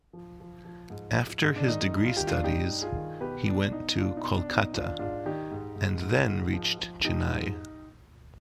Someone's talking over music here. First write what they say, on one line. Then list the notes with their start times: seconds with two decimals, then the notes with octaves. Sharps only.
After his degree studies, he went to Kolkata, and then reached Chennai.
0.13 F3
0.40 F3
0.65 F3
0.90 G#2
1.17 F3
1.42 G#2
1.56 D4
1.67 D#3 D#4
1.93 G2
2.06 F4
2.17 D#3 G4
2.27 D4 F4
2.44 G2 D#4 G4
2.70 G2
2.82 F4 G#4
2.95 D#3
3.20 B2 G4 B4
3.46 B2 D4
3.72 B2 D#4
3.97 B2 D4 F4
4.17 D#4
4.24 B2
4.36 D4
4.48 B2
4.55 D#4
4.74 D#3 D4 F4
4.99 G#2 D4 F4
5.25 D#3 D#4 G4
5.51 G#2
5.76 G#2
6.02 G#2
6.28 G#2
6.53 F3
6.79 F3
7.04 F3 D#4 G4
7.30 G#2